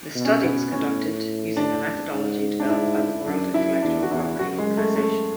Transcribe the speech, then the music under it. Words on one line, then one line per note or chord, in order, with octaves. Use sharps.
The study was conducted using a methodology developed by the World Intellectual Property Organization.
B2
C#4
B2 B3
A2 C#4
D4
G#2
D4
E4
E4
F#2 D4
F#2 E4
E2 D4
F#4
E2 E4
F#2 F#4
G#3
A3
A3